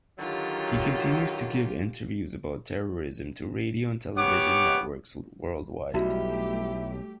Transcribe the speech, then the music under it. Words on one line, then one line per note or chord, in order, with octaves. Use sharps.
He continues to give interviews about terrorism to radio and television networks worldwide.
D3 D#3 F#3 F4 G4
B3 G4 C#5 F#5 D6
B1 G3 A3 D#4 E4 F#4 G4 D5